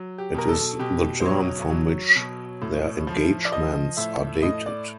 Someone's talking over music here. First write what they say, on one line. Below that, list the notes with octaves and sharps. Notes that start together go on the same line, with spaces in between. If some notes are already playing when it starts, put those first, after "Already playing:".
It is the term from which their engagements are dated.
Already playing: F#3
G4
B2 A#4
A4
B2 G4
C5
F#3 C#5
F#3
B2
A2
F3
D5
F3 D#5
A2 E5
A2 D#5
D5